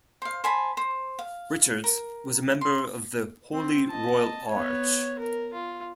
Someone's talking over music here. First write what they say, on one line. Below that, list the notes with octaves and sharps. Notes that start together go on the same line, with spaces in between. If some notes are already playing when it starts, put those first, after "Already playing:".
Richards was a member of the Holy Royal Arch.
C5 F5
C5 G#5 A5 B5
C5
F5
A#4
C6
C4
D#5 A5
B3 C#5
A#4
F4